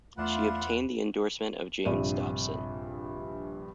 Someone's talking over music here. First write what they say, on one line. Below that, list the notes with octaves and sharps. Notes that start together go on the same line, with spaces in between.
She obtained the endorsement of James Dobson.
E2 A3 B3 D4 E4 F4 B4 F#5
A#1 G2 C3 D5 D#7